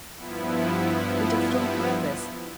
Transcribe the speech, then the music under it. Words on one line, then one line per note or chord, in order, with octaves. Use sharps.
He does it on purpose.
G2 F3 B3 E4